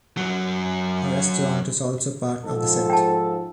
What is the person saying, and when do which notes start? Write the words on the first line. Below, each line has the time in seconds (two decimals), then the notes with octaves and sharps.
A restaurant is also part of the set.
0.17 F#2 F#3
2.45 G#2 F3 A4
2.90 G5 A5